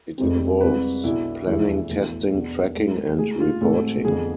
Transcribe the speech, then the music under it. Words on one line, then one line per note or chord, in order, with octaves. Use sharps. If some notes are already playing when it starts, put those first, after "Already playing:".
It involves planning, testing, tracking and reporting.
F1 F2 C3 G#3 C4
C2 C3 G#3 B4
B1 B2 B3 D4 E4
F1 E2 D3 F3 A3 E4
B1 A2 E3 A3
E2 B2 B3 D4
G#2 G#3 D4
A1 A2 G#3 G#4
F4
A1 A2 G#3 C4 A4
F2 D3 F3 B3 G#4